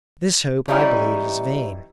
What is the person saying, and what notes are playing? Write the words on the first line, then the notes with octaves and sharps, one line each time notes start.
This hope, I believe, is vain.
E3 G3 C#4 D#4 E4